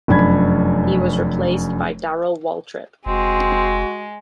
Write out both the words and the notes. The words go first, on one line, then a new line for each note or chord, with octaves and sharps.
He was replaced by Darrell Waltrip.
F1 F#2 D4 B5 G#6
F1 G#3 C4 F#4